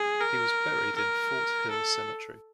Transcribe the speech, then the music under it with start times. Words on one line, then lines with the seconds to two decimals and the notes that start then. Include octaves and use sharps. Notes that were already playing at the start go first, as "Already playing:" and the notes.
He was buried in Fort Hill Cemetery.
Already playing: G#4
0.21 A#4
0.96 A#4
1.71 A4